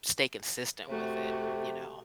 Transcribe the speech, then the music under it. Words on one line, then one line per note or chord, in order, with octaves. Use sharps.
stay consistent with it, you know.
C3 A3 F#4